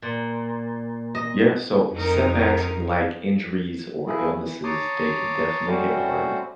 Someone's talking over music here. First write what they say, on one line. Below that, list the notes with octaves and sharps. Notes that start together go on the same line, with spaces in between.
Yeah, so setbacks like injuries or illnesses, they can definitely hit hard,
A#2
D#5
F2 D#4 A#4
F3 A3 E4 G#4
E3
C#5 A5 A#5 C6 D6 D#6
G3 A3 C4 C#4 F#4 C5